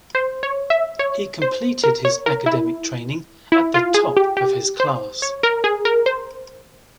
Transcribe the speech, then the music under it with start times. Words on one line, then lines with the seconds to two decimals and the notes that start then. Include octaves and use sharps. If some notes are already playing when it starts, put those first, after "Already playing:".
He completed his academic training at the top of his class.
0.15 C5
0.43 C#5
0.70 E5
0.99 C#5
1.42 C5
1.84 A#4
2.05 C#5
2.26 A#4
2.46 E4
3.52 E4
3.74 F4
3.94 G#4
4.17 G4
4.37 G4
4.80 C5
5.22 C#5
5.43 A#4
5.64 G#4
5.85 A#4
6.06 C5